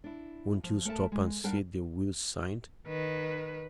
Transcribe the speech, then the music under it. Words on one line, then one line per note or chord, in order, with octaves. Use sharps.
"Won't you stop and see the will signed?"
D4 E4
F3
A3 A#4 B4 E5 A5
G#3
G3 D4 A#4 F5 F#5
D#3 B4